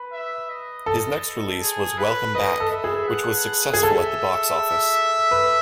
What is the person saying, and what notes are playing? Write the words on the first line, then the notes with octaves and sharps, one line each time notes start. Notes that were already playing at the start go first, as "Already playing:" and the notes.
His next release was "Welcome Back", which was successful at the box office.
Already playing: B4
E5
D#5
A4
G#4
B4
B4 D#5
A4
E5
G#4
F#5
G#4
A4 E5
B4